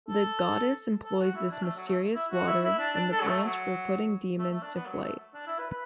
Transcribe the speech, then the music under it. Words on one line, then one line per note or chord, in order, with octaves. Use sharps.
The Goddess employs this mysterious water and the branch for putting demons to flight.
A4
A4
F#4
E4
D4
A3
F#3
A3
E4
F#4
E4
E4
D4
D4
A4
F#3
A3
F#3
A3
A3
D4
B3
F#3
A3
D4
E4
B4
B4